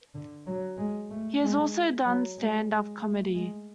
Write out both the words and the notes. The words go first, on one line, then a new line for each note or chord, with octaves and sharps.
He has also done stand-up comedy.
D3
F#3
G#3
A3
G#3
F#3
G#3
G#3
A3
G#3